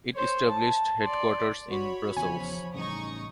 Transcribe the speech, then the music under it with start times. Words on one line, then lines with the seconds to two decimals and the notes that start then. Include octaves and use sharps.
It established headquarters in Brussels.
0.14 C5 C#5
0.47 A5
1.02 D5 C6
1.70 F#4 C#5 B5
2.17 E2 C#3 F3 G#5
2.74 A1 C#3 G3 D#4 C#6 D#6